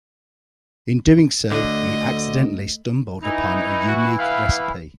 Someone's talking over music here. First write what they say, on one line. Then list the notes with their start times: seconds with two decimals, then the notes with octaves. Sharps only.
In doing so, he accidentally stumbled upon a unique recipe.
1.52 D2 D3 A3 D#5
3.22 E3 D#4 E4
3.88 F#4
4.19 B3 E5 F5